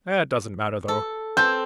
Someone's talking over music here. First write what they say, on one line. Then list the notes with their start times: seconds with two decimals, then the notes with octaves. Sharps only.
It doesn't matter, though.
0.88 A4
1.37 C4 A4 G6